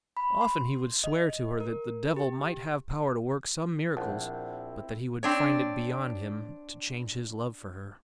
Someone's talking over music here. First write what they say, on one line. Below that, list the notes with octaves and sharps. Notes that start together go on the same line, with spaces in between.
Often he would swear to her that the devil might have power to work some miracles, but that he would find it beyond him to change his love for her.
B5
C6
D#5
A#4
G4
A#1 C4 E4 F#5 A5
C4 D4 C#5